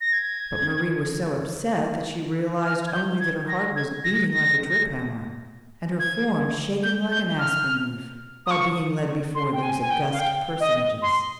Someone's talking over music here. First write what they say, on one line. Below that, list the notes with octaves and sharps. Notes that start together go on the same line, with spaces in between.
But Marie was so upset that she realized only that her heart was beating like a trip-hammer, and her form shaking like an aspen leaf, while being led before those august personages.
A#6
G#6
F6
G#6
G6
G#6
A#6
G#6
A#6
A#6
G#6
G6
G6
F6
D#6
C#6
C6
G5
G#5
G#5
G5
F5
G5
D#5
C6